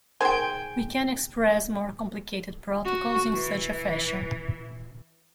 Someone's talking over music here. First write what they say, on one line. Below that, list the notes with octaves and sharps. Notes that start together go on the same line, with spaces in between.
We can express more complicated protocols in such a fashion.
D#3 G#3 C5 G5 G#5
F#4
E3